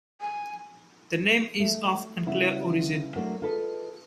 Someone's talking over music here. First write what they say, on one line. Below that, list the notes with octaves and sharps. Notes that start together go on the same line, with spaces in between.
The name is of unclear origin.
G#5
A3
C#3 G3 B3 E4
F#3 A3 A#3 D4 F#4
F4 G#4 A4 B4 C#5 D#5